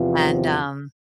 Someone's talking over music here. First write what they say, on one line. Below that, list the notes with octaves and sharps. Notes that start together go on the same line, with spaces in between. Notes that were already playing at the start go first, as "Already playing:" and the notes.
And, um
Already playing: E2 C3 F3 B3 F4